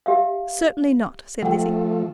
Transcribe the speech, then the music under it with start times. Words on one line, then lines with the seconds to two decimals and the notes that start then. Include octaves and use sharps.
"Certainly not," said Lizzie.
0.06 G4 E5 F5
1.42 F3 A3 F#5 G5